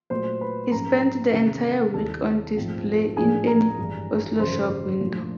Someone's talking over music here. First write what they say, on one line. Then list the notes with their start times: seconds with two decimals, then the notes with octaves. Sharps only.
He spent the entire week on display in an Oslo shop window.
0.10 A#2 F#3 A3 C5 C6
0.41 B4 B5
0.71 G#2 F3 A#3 C#4 A#4 A#5
1.33 E2 C3 D#3 G#3 C#4
1.94 D#2 D#3 G3 C4 E4 A4 A5
2.56 A#1 G#2 F3 A3 C4
3.17 A1 A2 F3 A3 D4 G#4 G#5
3.47 A#4 A#5
3.78 G#1 G2 E3 G3
4.40 G#1 F#2 C#3 E3 G#3 C5 C6
5.00 A#2 F3 A3 D4